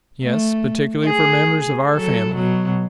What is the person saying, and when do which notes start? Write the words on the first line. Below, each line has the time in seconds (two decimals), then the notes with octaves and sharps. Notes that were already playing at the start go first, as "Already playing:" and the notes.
"Yes. Particularly for members of our family."
0.23 A3
1.04 G#4
1.94 F#3 A4
2.34 B2 F#3